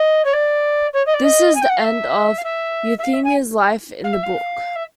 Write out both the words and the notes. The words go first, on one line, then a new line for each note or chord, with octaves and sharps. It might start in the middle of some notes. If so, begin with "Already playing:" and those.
This is the end of Euphemia's life in the book.
Already playing: D#5
C#5
D5
C#5
D#5
D5
D#5
G#5
G5
F#5
F5
E5
F5
E5
E5
F5
E5
G#5
F5
E5
F5
E5